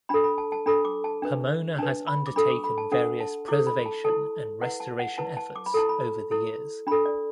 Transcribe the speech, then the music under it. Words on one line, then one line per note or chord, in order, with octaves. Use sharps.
Pomona has undertaken various preservation and restoration efforts over the years.
D4 A4 B5
B5
A5
A5
D4 A4 B5
D6
A5
D4 B4
D4 B4 A5
B5
D6
D4 A4 B5
D6
B5
A5
D4 A4 F#5
A5
E4 A4 D6
B5
A5
E4 A4 A5
E4 B4 F#5
A5
F#5
E4 B4 A5
A5
D6
B5
E4 A4 A5
B5
E4 A4
D4 A4 B5
D5